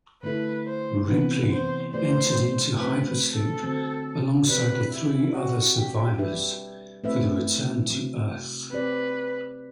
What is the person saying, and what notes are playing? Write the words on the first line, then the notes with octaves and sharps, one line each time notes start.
Ripley enters into hypersleep alongside the three other survivors for the return to Earth.
D3 A3 E4 A4 B4
C5
C3 E3 B3 B4
C5
A3 E4 G4 B4 C5 D5
F#3 A3 C4 B4
B4
A4
D3 F#3 C4
B2 F#3 C4 G4 B4 D5
E4
C4 F#4 G4 D5
G4
G3 D4 G4 B4 E5
A3 C4 E4 B4 E5
C3 F#3 C4
C4 G4 B4 D5